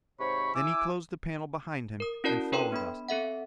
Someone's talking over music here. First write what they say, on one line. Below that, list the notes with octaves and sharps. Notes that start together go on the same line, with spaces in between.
Then he closed the panel behind him and followed us.
G#2 C3 C5 C#5 B5 C#6
E4 G#5 D6 E6
A#4 D#6
C#4 E4 F#4 A#4 D5 A5
D4 A4 B4 C#5 G5 C6
B3 D4 B5
C4 A4 E5 F#5